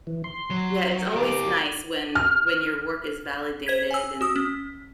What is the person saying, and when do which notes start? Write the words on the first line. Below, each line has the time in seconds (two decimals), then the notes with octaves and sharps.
yeah, it's always nice when when your work is validated and
0.07 E3
0.24 C6
0.50 F#3
1.16 G4 A#4 D6
2.15 F6
3.67 C5 G#6 B6
3.91 G#5 E6
4.21 F#4 D#6 E6
4.36 C#4